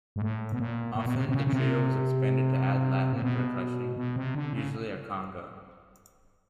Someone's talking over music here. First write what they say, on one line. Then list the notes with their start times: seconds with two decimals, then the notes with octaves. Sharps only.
Often the trio was expanded to add Latin percussion, usually a conga.
0.16 G#2
0.22 A2
0.52 B2
0.59 A#2
0.95 A#2
1.06 B2
1.15 C3
1.29 C3
1.34 C#3
1.47 C#3
1.53 C3
3.13 A#2
3.22 B2
3.96 B2
4.16 C3
4.35 D3
4.53 C#3